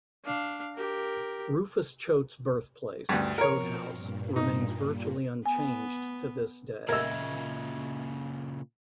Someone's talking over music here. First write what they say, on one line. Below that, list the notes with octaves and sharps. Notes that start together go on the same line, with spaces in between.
Rufus Choate's birthplace, Choate House, remains virtually unchanged to this day.
D4 F5
G4 A#4
D2 G2 E5
B2 F3 C4 A#4 C#5
G2 A#2
D#4
B3 G#5
A#2 C#3 A#4 D#5 E5 E6 G#6